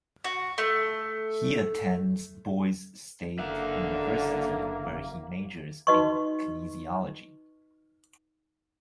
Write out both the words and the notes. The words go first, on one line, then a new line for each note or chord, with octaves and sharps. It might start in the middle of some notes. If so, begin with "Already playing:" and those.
He attends Boise State University where he majors in kinesiology.
F#4
A3
F#1 D3 A#3 E5 F#5
D#4 F#4 B4 D#5 C6 C#6